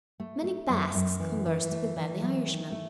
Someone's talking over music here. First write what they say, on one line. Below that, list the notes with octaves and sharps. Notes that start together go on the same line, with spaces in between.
Many Basques conversed with many Irishmen.
A3
A3
F#2
F#2
E3
E3
A3
E3
F#3
D#3
A3